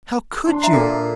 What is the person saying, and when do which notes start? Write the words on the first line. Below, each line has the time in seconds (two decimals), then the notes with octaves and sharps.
How could you?
0.46 D4 C6
0.62 E5 A#5 C7
0.73 A#2 A4